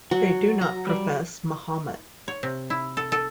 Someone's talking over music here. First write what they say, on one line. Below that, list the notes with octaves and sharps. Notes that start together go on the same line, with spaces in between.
They do not profess Mahomet.
F#3 F#4
A#5
G3 D5
C#5
C3
E4
A4
A4